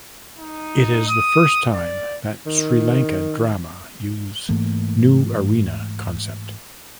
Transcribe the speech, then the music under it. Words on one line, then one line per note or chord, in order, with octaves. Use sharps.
It is the first time that Sri Lanka drama use New Arena concept.
D#4
D#6
D5
D#3
G#2 E3 A3 A#3